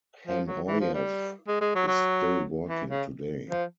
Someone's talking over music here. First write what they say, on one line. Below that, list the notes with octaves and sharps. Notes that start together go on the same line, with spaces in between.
Hamroyev is still working today.
F3
F#3
E3
F3
G3
G#3
G#3
F#3
F#3
E3
C#3
F3